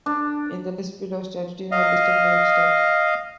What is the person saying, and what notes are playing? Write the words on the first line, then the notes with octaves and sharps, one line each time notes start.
In the list below, statutes are listed by X Stat.
D4
D#5 F5